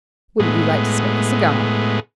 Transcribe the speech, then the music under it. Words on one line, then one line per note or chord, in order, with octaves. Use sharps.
Wouldn't you like to smoke a cigar?
A2 G#3 B3